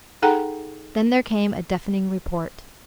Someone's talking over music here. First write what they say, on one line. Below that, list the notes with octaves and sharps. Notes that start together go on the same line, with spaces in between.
Then there came a deafening report.
D#4 G#4 A4 F#5 G5 A#5